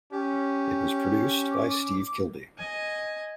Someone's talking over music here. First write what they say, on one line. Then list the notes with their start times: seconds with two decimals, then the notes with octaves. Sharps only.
It was produced by Steve Kilbey.
0.12 C#4 G4
1.52 D6
2.59 D#5 G#5